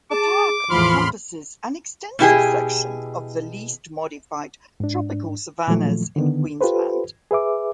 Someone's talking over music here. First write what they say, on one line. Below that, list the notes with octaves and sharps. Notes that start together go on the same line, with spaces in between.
The park encompasses an extensive section of the least modified tropical savannas in Queensland.
G#4 A5 D6
E2 A2 F3 B5 C6 F6
B2 E4 G4 G#4
G#2 D4
A#2 D#3 F3 F#3 A3
D3 D#3 B3
F4 G4 A4 B4 C5
G#4 B4 E5 D6